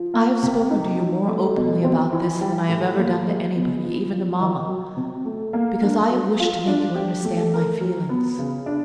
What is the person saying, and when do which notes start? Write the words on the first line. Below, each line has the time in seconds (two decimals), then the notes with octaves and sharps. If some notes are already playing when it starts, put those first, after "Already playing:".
I have spoken to you more openly about this than I have ever done to anybody, even to mamma, because I have wished to make you understand my feelings.
Already playing: F3
0.14 A#3
0.43 C3
0.70 D#4
0.99 F#3
1.28 A3
1.56 B2
1.84 C4
2.13 E3
2.41 G3
2.69 A2
2.98 A#3
3.27 G#3
3.55 B3
3.83 F3
4.12 F3
4.41 D#3
4.69 F#3
4.97 C3
5.25 A3
5.53 A#3
5.83 D4
6.10 F#3
6.40 F4
6.67 D4
6.95 G4
7.25 A3
7.53 A#4
7.81 F#3
8.09 B3
8.38 C#3
8.66 D4